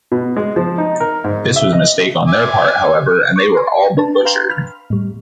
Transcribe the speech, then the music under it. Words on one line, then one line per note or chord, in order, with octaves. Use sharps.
This was a mistake on their part, however, and they were all but butchered.
B2
G#3
F3
D#4
A#4
G#2
E5
D#5
E5 G#5 D6
C#6 D6 A#6 C7
G#5
D4 B4 A5
B4 F5 G5 A#5 C6
B5 F6
A2 G3